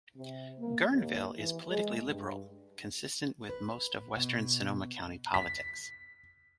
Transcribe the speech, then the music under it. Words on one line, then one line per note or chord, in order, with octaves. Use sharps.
Guerneville is politically liberal, consistent with most of western Sonoma County politics.
C3
A#3
D#2
E3
G#3
G2
B4
B2
B6